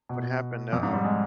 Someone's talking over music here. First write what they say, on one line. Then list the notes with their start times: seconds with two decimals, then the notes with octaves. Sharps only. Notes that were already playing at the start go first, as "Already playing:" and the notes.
What happened? Uh-oh.
0.09 B2
0.73 F2
0.83 G#2
0.93 G3
1.04 G#3